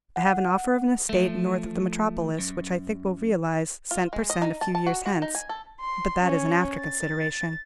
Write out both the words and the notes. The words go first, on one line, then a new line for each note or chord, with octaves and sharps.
I have an offer of an estate north of the metropolis, which I think will realize cent per cent a few years hence: but that is an after consideration.
F#5
F3 A3
F#2
F4
G#3
D#5
D#4
A5
A5
F#4
F#4
D#4
G#5
A4
C6
C#4
A6